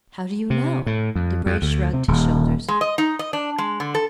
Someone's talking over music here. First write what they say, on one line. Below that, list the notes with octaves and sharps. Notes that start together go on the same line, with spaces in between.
"How do you know?" Debray shrugged his shoulders.
C3
A2
F2
F2
D2
C3
D#1
G#3
D#5
D#4
D#5
D4
G#3
D3
A4